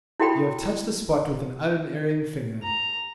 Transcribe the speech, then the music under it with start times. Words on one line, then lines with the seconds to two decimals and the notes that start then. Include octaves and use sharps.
'You have touched the spot with an unerring finger.
0.20 E4 F#4 A4 G5 B5
2.63 A#5